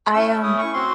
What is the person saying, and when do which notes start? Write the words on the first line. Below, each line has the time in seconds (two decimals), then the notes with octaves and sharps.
I, um,
0.13 A3 C#4 E4 E6
0.43 D#6
0.58 C#6
0.73 C4 F#4 C6